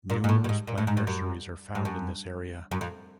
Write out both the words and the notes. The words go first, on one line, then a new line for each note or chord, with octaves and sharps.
Numerous plant nurseries are found in this area.
A#2
G#2
A2
G2
G#2
A#2
A2
G#2
G2
F#2
G2
F#2
F#2
F2